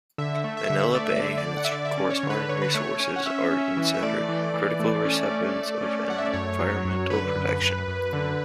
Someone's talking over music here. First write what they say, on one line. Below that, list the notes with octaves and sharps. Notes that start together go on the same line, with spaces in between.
Manila Bay and its corresponding resources are considered critical recipients of environmental protection.
D3 E5
A3
E5
D3
A3 D5
E5
D3 D5
E5
D5
D3
F#5
E5
D3 D5
E5
D5
C#4
C#5
D3
B4
D3 C#5
B4
A3 C#5
C#4
F#5
C#4 E5
C#4
E3
E5
A3 D5
E3
E3
A3
C#4
A3
A3
C#4
A3 F#5
E5
D5
F#2 C#5
F#3
F#2
D3 B4
F#2
F#2
F#2
D3